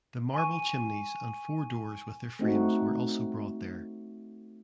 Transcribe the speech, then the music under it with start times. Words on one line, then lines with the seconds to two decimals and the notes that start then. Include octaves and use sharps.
The marble chimneys and four doors with their frames were also brought there.
0.34 G#5 C#6 D#7
2.39 A3 C4 D#4 F#4